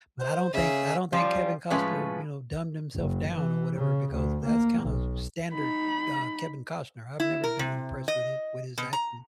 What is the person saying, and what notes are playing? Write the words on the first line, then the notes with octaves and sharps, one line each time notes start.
but I don't think I don't think Kevin Costner, you know, dumbed himself down or whatever because that's kinda s standard, uh, Kevin Costner, I've never been impressed with his with his acting.
C5
C#3 G#4 E5
F3 G3 C#4 F4
A2 F3 G#3 C#4 B4
F#1
E3
C#3
D2
A#3
B1
D#4 B5
E4
A#4
C3
D#5
B2
A#5